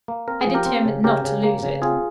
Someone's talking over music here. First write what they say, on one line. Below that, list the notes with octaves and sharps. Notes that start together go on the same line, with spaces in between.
I determined not to lose it.
A#3
C4 A#4
G#4
F3
G4 A#4
C4
C#3
C#3 G4 A#4
C#3
A#3
C#3
C4 F4 G#4